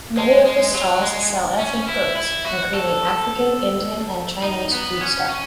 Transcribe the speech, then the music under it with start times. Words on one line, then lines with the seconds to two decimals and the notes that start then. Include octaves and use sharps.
Many of the stalls sell ethnic goods, including African, Indian and Chinese foodstuff.
0.17 G#3
0.46 G#3
0.74 F#3
1.02 G#3
1.59 C#4
1.88 E4
2.16 E4
2.45 F#4
2.73 A4
4.44 D#4
4.72 B3
5.01 C#4
5.29 C#4